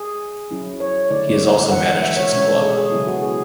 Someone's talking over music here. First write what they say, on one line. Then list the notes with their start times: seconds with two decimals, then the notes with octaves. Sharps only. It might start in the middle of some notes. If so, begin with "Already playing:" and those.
He has also managed his club.
Already playing: G#4
0.51 F#3 C#4 E4
0.80 C#5
1.11 D3 A3 E4 D5
1.71 E3 G#3 D4 F#5
1.87 F#5
2.02 E5
2.17 C#5
2.32 B2 G#3 C#4 C#5
2.47 A4
2.62 G#4
2.77 G#4
2.92 C#3 F#3 B3 E4
3.07 F#4
3.23 G#4